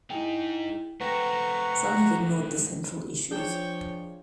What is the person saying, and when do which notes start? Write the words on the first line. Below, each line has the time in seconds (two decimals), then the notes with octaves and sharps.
Some have ignored the central issues.
0.10 D#4 E4 G#4 G5
1.01 A3 C4 B4 F#5 A#5 C#6 A#6
1.83 D5 F#6
3.31 F3 D4 G#4 C#5 D5 G5